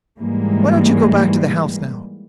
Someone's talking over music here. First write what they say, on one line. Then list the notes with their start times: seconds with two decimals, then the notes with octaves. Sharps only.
"Why don't you go back to the house now!"
0.20 G#2 E3 G3 G#3 A#3